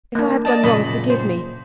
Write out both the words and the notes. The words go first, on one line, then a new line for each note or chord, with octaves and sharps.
If I have done wrong, forgive me.
A#3 D4
D5 D#5 A5
F#2 A#2 C#3 D#5 B5
C5